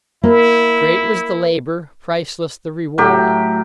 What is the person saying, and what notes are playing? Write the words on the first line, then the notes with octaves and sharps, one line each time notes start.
Great was the labour; priceless the reward.
A#3 E4
A2 F#3 G4